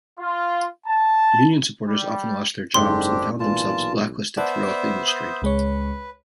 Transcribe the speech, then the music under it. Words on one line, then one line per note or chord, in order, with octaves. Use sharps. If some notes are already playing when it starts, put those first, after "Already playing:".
Union supporters often lost their jobs and found themselves blacklisted throughout the industry.
F4
A5
G3
F#1 G#2 C4 D4 G4 A4 C6
B1 A#2 E3 F4 A5
B3 C5 D5 E5 F#5 A5
D5
C6 D#6 G6
C#2 G#3 B4 C#5